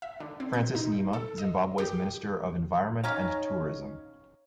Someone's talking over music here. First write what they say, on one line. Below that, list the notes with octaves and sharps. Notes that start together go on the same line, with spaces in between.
Francis Nhema, Zimbabwe's Minister of Environment and Tourism.
E5
D3
C4
G6
D#4
A4
D#5
G4
C#4 D#4 F5